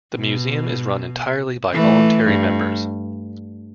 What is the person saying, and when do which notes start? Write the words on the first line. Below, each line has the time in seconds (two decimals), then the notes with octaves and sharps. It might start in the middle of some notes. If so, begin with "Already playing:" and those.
The museum is run entirely by voluntary members.
0.15 B2
1.73 E3 A3
2.25 G2